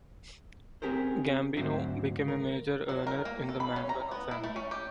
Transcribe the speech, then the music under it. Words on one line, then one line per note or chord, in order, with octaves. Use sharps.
Gambino became a major earner in the Mangano family.
C4 C#4 G4 G#4 A#4 C5
D2 G#2 F#3 C4 C5 E5
A#4
F#3
A#4
A#3
A4
B5
C#4
A#5
B3
E4
A3
C#4
G4